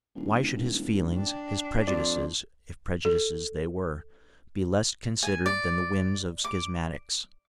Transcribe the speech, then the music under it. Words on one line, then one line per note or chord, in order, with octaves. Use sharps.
Why should his feelings, his prejudices, if prejudices they were, be less considered than the whims of schismatics?
D#1 G#3 D4 E4
D4 G5
F2 D5 C6
A4
G#5
D5
D6